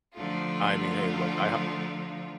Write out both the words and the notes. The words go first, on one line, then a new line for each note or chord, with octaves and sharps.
I mean, hey look, I ho
D3 F3 A3 D#4 F4